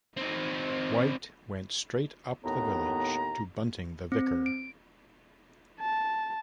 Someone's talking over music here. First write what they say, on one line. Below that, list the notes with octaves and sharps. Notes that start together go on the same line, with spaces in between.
White went straight up the village to Bunting the vicar.
C4 D#4
D#2 A2 B3 A#5
C4
D7
A5